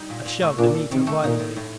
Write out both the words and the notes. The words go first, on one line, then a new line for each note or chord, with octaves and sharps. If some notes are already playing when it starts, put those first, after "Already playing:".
I shoved Anita violently.
Already playing: G3 D#4
A#2
A#2
A3
A#2 D4
A4
C3 D#3
A3
A#2 D#4
A2
A2